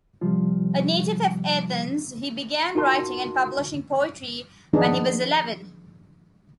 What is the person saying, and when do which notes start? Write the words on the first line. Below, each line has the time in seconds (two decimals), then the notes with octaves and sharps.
A native of Athens, he began writing and publishing poetry when he was eleven.
0.21 C3 F3 G3 F4
2.75 D#4 F4 F#4 A#4 A5 C6
4.73 D#3 F3 B3 D4 D#4 G#4